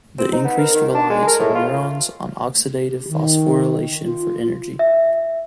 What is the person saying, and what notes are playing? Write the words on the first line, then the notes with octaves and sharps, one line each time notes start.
The increased reliance of neurons on oxidative phosphorylation for energy.
C4
D#4
B3
A#4
D#3
D4
G#3
A#4
A2
F4
G4
D#3
F4
E5